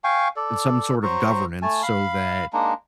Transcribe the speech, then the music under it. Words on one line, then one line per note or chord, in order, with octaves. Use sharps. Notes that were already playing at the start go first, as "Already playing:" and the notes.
and some sort of governance so that,
F5 G5 G#5 C#6
A4 D5
F#3 C5 A#5 C#6
A3 G#5 A5
F5 B5
G#3 A#3 D4 D#4